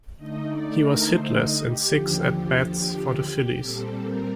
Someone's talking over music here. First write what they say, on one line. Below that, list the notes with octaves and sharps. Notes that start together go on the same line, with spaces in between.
He was hitless in six at-bats for the Phillies.
D3 A3 D#4 D#5
D5
A#4
C5
D#5
G4
D#2 D3 F3
A#2 G3 C4 A4
A#4